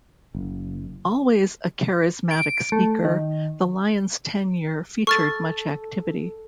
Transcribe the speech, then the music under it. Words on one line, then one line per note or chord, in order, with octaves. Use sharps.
Always a charismatic speaker, the Lyons tenure featured much activity.
F#1
D7
A3
D#3
A4 C#6 F6 A6